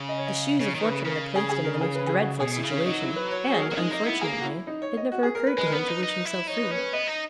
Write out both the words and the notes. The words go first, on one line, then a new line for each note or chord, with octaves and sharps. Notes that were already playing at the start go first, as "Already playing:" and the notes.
The Shoes of Fortune had placed him in the most dreadful situation; and, unfortunately, it never occurred to him to wish himself free.
Already playing: C#3
D#5
C#5
D#5
C#3 C#5
D#3
B4
C#3
C#3 A#4
G#4
G#4
A#4
G#4
B4
G#4
F#4
B2 G#4
E4
C#3
C#4
F#3 D#4
E4
B4
C#5
C#5
G#4
A#4
F#3
G#3 D#4
A#3 D#4
B3 E4
A#3 G#4
F#4
E4
D#4
C#5
D#5
F#4
G#4
A#4
B4
G#3 B4
A#4
B3 B4
D#4
D#4
E4
D#4 C#5
B4
C#4 C#5
B4
B3 D#5
D#4